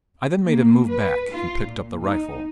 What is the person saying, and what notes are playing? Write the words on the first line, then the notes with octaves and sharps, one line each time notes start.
I then made him move back, and picked up the rifle.
A#3
B4
F4
A#2
D#4